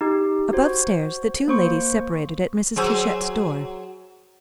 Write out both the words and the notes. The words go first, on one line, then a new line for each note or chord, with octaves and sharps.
Above-stairs the two ladies separated at Mrs. Touchett's door.
D#4 G4
F#4 C5
A#3 C5 C#6
F#3 G#4 C5